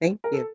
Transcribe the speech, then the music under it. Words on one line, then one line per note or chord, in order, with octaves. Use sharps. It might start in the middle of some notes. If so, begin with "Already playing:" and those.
Thank you.
A#4
A4